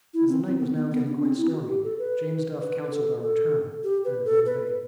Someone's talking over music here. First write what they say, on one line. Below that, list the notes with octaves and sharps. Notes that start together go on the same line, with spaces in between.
As the night was now getting quite stormy, James Duff counselled our return, and we obeyed.
E4
C4
C4
B3
B3
B3
D4
C4
E4
F#4
G4
A4
B4
B4
A4
A4
G4
B4
A4
B4